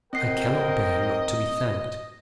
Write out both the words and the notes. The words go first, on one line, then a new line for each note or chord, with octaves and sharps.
I cannot bear not to be thanked.
C4 A#4 C5 D#5 G5 C7